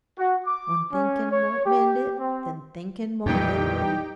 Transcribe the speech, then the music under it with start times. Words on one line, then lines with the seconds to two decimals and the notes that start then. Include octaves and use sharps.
When thinkin' won't mend it, Then thinkin' won't end it.
0.18 F#4
0.46 D6
0.92 C#4
1.31 C#5
1.65 G4
2.19 C4
3.26 B1 F2 A#2 E3 G3 D#4 G4 G5